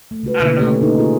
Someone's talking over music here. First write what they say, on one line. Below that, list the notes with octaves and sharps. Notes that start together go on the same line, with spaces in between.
I don't know,
A3
C#3 G#3 F#4 B4
B2 D3 A#3 E4
C#3 A3 C#4 G4 C#5
A#3 C#4 D#4 A4 B4
A#3 F4 G#4